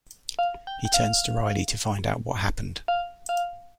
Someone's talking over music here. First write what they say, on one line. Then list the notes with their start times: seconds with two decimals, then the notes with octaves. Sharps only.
He turns to Riley to find out what happened.
0.39 F5
0.67 G5
0.85 G5
0.94 F5
2.88 F5
3.29 F5